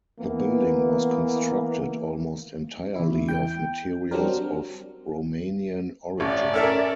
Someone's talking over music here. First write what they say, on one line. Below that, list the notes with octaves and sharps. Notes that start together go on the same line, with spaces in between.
The building was constructed almost entirely of materials of Romanian origin.
E3 A#3 B3
E2 E4
G5
F#3 G3 C4 D4 A#4
A1 C#4 D5
A4 A#4 E5